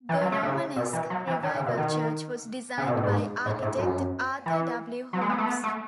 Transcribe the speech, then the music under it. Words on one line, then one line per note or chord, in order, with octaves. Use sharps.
The Romanesque Revival church was designed by architect Arthur W. Holmes.
E3
F#3
A3
C#3
B2
E3
F#3
E3
D#3
C#3
B2
D#3
C#3
B2
A2
G#2
A2
A2
F#2
E3
F#3
G#3
B3
A3
B3
A3